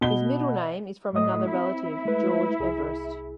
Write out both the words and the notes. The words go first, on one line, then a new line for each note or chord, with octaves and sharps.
His middle name is from another relative, George Everest.
B2 G7
A2 D#5 D#6
C4 E4
G#3 A3 B4
C2 G#4